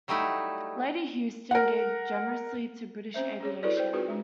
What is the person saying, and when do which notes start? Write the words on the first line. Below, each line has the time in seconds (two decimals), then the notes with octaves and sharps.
Lady Houston gave generously to British aviation.
0.08 F#3 G3 A3 D#4 E4
1.51 A#4 F#5
3.14 C4 C#4 C5 E5
3.41 C#4 G#4 C#5
3.63 E4 F#4 A4 B4 C#5 D5
3.77 C5 G5
3.93 C4 D#4 F4 F#4 G#4 B4
4.08 G#3 D4